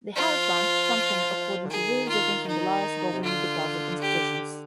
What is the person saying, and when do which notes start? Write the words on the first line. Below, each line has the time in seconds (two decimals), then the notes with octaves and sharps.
The House Bank functioned according to rules different from the laws governing deposit institutions.
0.16 F3 F4
1.65 D3
1.70 D#3 G#4
2.08 F4
2.47 D#4
3.12 C3
3.23 D3 F4
4.01 G4